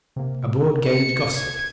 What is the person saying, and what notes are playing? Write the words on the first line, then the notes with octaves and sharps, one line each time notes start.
A broad-gauge gossip.
C3 A#3
C#7
G#6